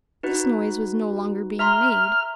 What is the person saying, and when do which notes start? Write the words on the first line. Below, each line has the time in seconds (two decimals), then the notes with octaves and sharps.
This noise was no longer being made.
0.23 D#4 F#4 B4
1.59 E5 A#5 C6 F6